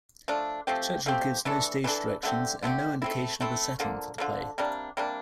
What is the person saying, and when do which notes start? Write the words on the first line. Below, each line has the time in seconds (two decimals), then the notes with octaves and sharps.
Churchill gives no stage directions and no indication of a setting for the play.
0.28 F3 A3 D4
0.67 F3 A3 C4 G4
1.06 F3 A3 C4 G4
1.45 E3 A3 D4 A4
1.84 E3 A3 D4 A4
2.23 D3 A3 C4 G4
2.63 D3 A3 C4 G4
3.02 A3 C4 E4
3.41 A3 C4 E4
3.80 D3 F3 A#3
4.18 D3 F3 A#3
4.58 C3 G3 A#3 D4
4.97 C3 G3 A#3 D4